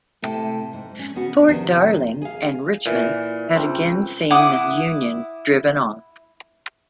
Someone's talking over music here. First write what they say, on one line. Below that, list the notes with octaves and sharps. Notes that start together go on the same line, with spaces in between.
Fort Darling and Richmond had again seen the Union driven off.
A2 C3 A4 G5 A5
G#2
C#4
C#3 B3 C#4 F#4
F2 C3 D#3 B3 D4
G#4 F5
A#2 E3
C#2 C4
E4 F#5 D6 D#6